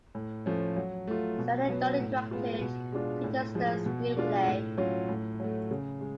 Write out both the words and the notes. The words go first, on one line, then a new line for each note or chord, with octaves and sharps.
Stanley Donen directed Peter Stone's screenplay.
A2
F3 A3 C#4
F#3
A3 F4
B2
F#3 B3
A2
G#3 B3 F4
B2
G#3 D4 F4
A2
F3 G#3
B2
G#3 D4 F4
A2
F#3 C#4 F4
A2
F#3 A3
C#3
G#3